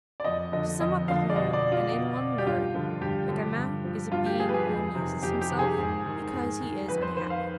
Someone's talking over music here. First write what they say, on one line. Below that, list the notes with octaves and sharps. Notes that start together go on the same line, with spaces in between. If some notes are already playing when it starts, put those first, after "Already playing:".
To sum up the whole, and in one word, the gamin is a being who amuses himself, because he is unhappy.
D5
F2 D#5
D3 F3 D#5
F2 D#5
D3 F3 F5
D5
B2 D#5
D5
F4
B2
G4
G2 F4
D3 F3
G2 G4
D3 F3
G2
F3
G2 F4
G4
F3 G#4
B4
G#4
F2
C3 D#3
F2 G4
G4
C3 D#3
G#4
G#2
D#3
G#2
D#3
F2 B4
C5
D#3 C5
F5